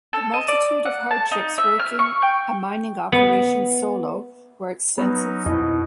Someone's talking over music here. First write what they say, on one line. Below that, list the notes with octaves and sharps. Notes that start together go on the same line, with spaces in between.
The multitude of hardships working a mining operation solo were extensive.
A4
D#5
D5
F#5
A5
D#4
E5
F6
C#6
G5
B3
F#3 B3 C#4 D#4
F2 B2 D#4 E4